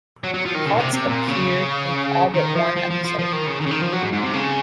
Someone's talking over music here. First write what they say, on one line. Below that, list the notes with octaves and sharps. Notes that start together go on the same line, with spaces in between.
Potts appeared in all but one episode.
F#3
F#3
F3
D#3
C#3
A#2
C3
C3
A#2
C#3
D#3
F3
F3
F3
F3
F3
D#3
C#3
D#3
C#3
D#3
F3
F#3
G#2
G#2
C3
C#3